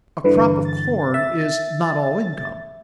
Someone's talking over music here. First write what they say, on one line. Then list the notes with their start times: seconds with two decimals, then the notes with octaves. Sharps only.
A crop of corn is not all income.
0.24 G2 D3 E3 B4
0.65 A6
1.14 E5